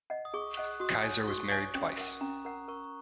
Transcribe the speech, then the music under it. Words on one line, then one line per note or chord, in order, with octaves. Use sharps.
Kaiser was married twice.
D#5 F#5
D#6
G#4 C#6
D#5 F#5 F#6
F#4 D#6
C#5 G#5
F#4 C#6
C#5 G#5
C#4
A#4 F#5
C#4 A#5
A#4 F#5 A#5
A#4 C#6